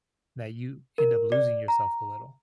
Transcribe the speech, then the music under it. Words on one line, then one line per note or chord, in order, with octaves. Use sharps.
that you end up losing yourself a little.
A#4
D5
A#5